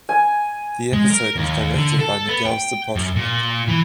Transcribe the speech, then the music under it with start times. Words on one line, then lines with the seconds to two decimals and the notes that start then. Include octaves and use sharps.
The episode was directed by Miguel Sapochnik.
0.09 G#5
0.93 G#3
1.10 A#4
1.36 D#2
1.74 D3
1.99 A4
2.28 B3
2.45 G5
2.96 F#2
3.16 A#2
3.68 E3